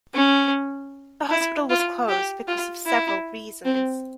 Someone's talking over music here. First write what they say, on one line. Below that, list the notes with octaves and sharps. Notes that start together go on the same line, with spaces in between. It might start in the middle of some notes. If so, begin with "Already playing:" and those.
The hospital was closed because of several reasons.
C#4
E4
F4
G4
F4
E4
C4